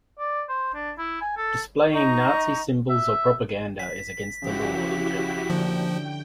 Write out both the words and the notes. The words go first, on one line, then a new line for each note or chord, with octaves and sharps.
Displaying Nazi symbols or propaganda is against the law in Germany.
D5
C5
D4
E4
G#5
A4
D#4 D#5 A#5 C#6
E5
B6
C#3 F3 E4 F#4 G4
A#2 D3 F3 A3 C#4 G5